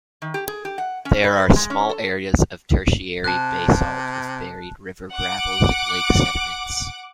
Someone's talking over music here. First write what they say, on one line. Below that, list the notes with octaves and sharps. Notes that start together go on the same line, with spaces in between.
There are small areas of Tertiary basalt with buried river gravels and lake sediments.
D#3
G4
G#4
G4
F#5
C#4
B4
G#3
C#4
A4
C3 A5 F#6
F#5 D6